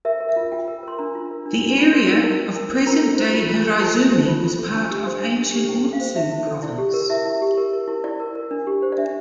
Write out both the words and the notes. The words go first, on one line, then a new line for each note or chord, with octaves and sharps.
The area of present-day Hiraizumi was part of ancient Mutsu Province.
A#4 E5
A#4
E5
F4
F4 G5
A#4
A#4 C6
D4 A#5
F4
A#4
D4
D4
F4
A#4 C6
A#4
E4
E4
A#4
A#4
F4 A#5
A4
C5
F4
F4
A4
F4 A5
A4
C5
F4
F4
A4
D4
G4
C5
D4
D4
G4
E4 G5
A4
F5
C5
E4 E5
E4
A4
E4 D5
G4
A#4
E4 E5
E4
G4
A#4
A#4
E4
E4 D5
A#4
A#4
D4
G4
C5
D5
D4 E5